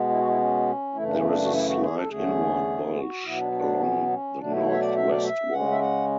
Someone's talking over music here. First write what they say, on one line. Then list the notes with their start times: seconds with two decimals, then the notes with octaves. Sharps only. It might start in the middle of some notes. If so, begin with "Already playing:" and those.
There is a slight inward bulge along the northwest wall.
Already playing: B2 G#3 B3
0.09 E4
0.18 F#4
0.27 E4
0.38 C#4
0.94 F#2 C#3 E3 A3 E4
1.05 D4
1.14 C#4
1.23 D4
1.43 F#4
1.52 E4
1.67 F#4
1.80 G#4
1.94 A4
2.09 E2 D3 A3 C#4 G#4
2.94 F#4
3.23 B2 F#3 B3 E4
3.37 D4
3.52 D4
3.80 C#4
4.09 C#4
4.38 B2 F#3 A3 D4
4.51 E4
4.66 C#5
4.73 E5
4.80 D5
4.88 F#5
4.95 E5
5.08 D5
5.24 E5
5.51 C#3 G#3 C#4 F#5
5.71 E5
5.80 F#5